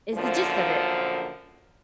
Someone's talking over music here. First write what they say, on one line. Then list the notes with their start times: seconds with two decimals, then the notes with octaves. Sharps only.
is the gist of it.
0.14 F#2 A#2 D3 F3